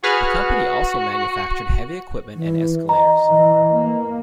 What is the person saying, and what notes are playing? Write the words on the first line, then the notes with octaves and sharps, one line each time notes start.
The company also manufactured heavy equipment and escalators.
F#4 G#4 B4 F6
E3
D#5 A#5
E3
A#3